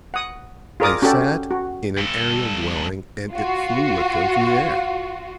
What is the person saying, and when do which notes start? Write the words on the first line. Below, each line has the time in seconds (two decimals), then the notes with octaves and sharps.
They sat in an aerial dwelling, and it flew with them through the air.
0.14 F#5 D#6
0.80 F4 G#4 A#4 D5 D6 D#6
1.02 C#4 F#4 G4 A4 D5
1.51 F#4
1.98 G2 A4
3.34 F4 F#4